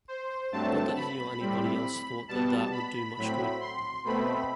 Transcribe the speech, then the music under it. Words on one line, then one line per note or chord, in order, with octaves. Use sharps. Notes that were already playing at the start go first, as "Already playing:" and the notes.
Not that he or anybody else thought that that would do much good.
C5
G2 F#3 A3 C4 A5
B5
A2 G3 C4
B2 G3 B3 A5
B5
A2 F#3 C4 B5
C6
B2 A3 C4 B5